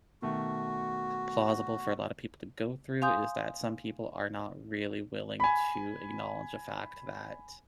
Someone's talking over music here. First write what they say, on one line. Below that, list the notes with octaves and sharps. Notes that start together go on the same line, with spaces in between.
plausible for a lotta people to go through, is that some people are not really willing to acknowledge the fact that
B2 D#3 A3 F#4
F5 G#5 C6 D#6 G6
G#5 B5